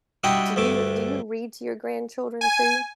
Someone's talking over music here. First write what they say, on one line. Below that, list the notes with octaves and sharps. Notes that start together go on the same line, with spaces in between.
Do you do you read to your grandchildren too?
G3 D4 E4 F#4 D#5 G5
D2 G2 A3 D6
G#5